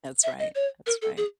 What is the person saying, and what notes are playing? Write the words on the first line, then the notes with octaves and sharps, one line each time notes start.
That's right, that's right.
E5
D#5
C#5
A#4
A4
G#4